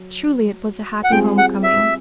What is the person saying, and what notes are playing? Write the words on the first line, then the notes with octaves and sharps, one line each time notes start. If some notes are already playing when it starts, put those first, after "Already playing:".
Truly it was a happy home coming.
Already playing: F#3
F#5
G3 C4 F4 G#4 G5
F#5
E5